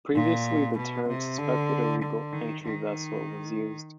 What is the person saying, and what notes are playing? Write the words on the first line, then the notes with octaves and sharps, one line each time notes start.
Previously the term 'Suspected "Illegal" Entry Vessel' was used.
A#2
B2
C3
D3
D3
D#3
D#3